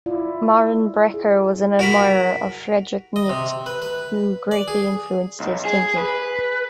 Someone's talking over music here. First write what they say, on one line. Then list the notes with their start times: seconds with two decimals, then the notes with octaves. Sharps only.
Maurenbrecher was an admirer of Friedrich Nietzsche, who greatly influenced his thinking.
0.06 E4 F4 D5
1.14 G#4
1.79 F#4 A#4 B5
3.16 D#5
3.30 C3
3.66 B4
3.82 B4
4.51 D5
4.68 G#4
5.40 B1
5.65 G#4
5.98 B4